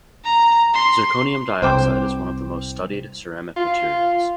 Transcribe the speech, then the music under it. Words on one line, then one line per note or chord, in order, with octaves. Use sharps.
Zirconium dioxide is one of the most studied ceramic materials.
A#5
C6
C2 C5 G5 D6
F4